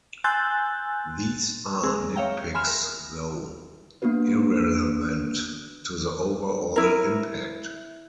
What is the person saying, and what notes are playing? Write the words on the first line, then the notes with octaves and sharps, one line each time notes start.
These are nitpicks though, irrelevant to the overall impact.
G#5 C6 E6 F#6 G6 A6
G#3 C4 G#4 E6
C#5 E5 F5 G5 A#5
G#5 B5 C6 F6 E7
A#4
A#3 B3 D4 F#4 B4
E4 A#4